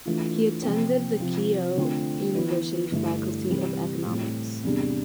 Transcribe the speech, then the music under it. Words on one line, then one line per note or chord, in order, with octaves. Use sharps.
He attended the Keio University Faculty of Economics.
E3 A3 D4 F4
C3 F3 C4
C3 F3 C4 F4
D3 A3 C4 F4
E3 B3 E4
G2 D3 A3 E4
C3 E3 G3
A2 G3 C4
E2 C3 G3 D4